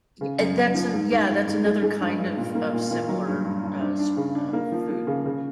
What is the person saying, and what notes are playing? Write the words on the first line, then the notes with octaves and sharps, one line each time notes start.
Y that's a yeah, that's another kind of of similar, uh, s uh, food.
C#3
F#2
F#2
F3
G#2
G#2
G#2
G#2
G#3
G#3
G2
G2
A#2
A#3
A#2
A#2
F#3
G2
G2
G2
D4
D4
C#3
D4
A#3
F3
F3
C#3
C#3